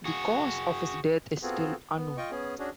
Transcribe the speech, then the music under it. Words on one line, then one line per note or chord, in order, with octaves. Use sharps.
The cause of his death is still unknown.
F#4 G#4
B3 C4 F4 F#4 G#4 A4
B3
F4 D#5 G5 C#6
B3 C#4 G#4
C#4 D4 F#4 G#4